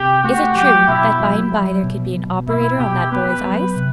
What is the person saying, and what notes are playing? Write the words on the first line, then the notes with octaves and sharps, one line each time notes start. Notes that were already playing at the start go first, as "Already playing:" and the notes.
"Is it true that by an' by there could be an operator on that boy's eyes?"
Already playing: C3 G4
A3 F#4
F#3 G4
B2 E4
F#3
F#3
B2
B2
B2 E4
B2 G4
B3 B4
F#3
C3